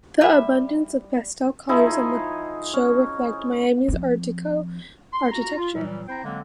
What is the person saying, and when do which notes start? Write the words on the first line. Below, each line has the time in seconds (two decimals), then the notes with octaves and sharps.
The abundance of pastel colors on the show reflected Miami's Art-deco architecture.
0.21 G3 E5
1.69 F3 D#4 E4 G#4
2.74 C#4
3.88 F3 C4
5.13 C6
5.32 F4 F#4 A#5
5.57 F4
5.75 A#2 E3 F#3 G3
6.08 C4 E4 C5 G5 A#5
6.24 D3 F#3 G#3 A#3 C4